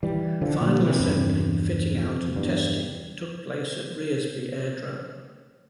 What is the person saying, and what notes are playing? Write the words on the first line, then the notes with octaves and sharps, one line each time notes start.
Final assembly, fitting out and testing took place at Rearsby aerodrome.
E3 G3
D3 F3
A#2 D3
C3 E3
E2 G2
F2
E2 G2